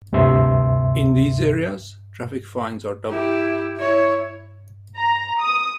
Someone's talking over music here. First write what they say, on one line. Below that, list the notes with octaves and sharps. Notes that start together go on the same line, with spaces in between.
In these areas, traffic fines are doubled.
D2 G2 C3 E5 C6
E4 G4
E4 C#5
A#5
D#6